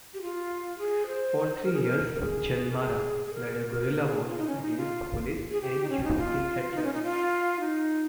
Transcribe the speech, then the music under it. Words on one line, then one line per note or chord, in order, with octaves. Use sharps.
For three years, Jandamarra led a guerrilla war against police and European settlers.
G4
F4
G#4
C5
A#4
G#4
A#4
A#4
G#4
A#4
G#4
G#4
A#4
C5
A#4
G#4
F4
D#4
C#4
D#4
F4
G#4
G4
D#4
C#4
D#4
F4
D#4
C#4
D#4
F4
D#4